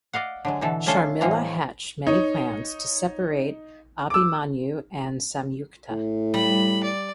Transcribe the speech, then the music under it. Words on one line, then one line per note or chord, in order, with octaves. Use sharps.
Sharmila hatch many plans to separate Abhimanyu and Samyukta.
D5 D#5 F5 F#5
D3 F#3 G#3
B2 D3 E3 A4
A3 C#4 D4 F4 A4
A2 E3 G#3 A#3 C4 A#5
D#4 C#5
D6 E6
A2
G3 B5
D5